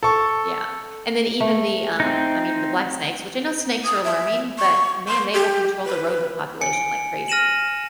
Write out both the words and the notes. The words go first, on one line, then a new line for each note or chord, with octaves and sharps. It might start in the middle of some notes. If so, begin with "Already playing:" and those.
Yeah. And, then, even the um, I mean, the black snakes which I know snakes are alarming, but, man, they will control the rodent population like crazy.
A4 C#6
A3
C4 D#4
D#6
E5
C#6
C6
G4
B4
G#5 C#7
D7
F6 A#6 D#7 E7 F#7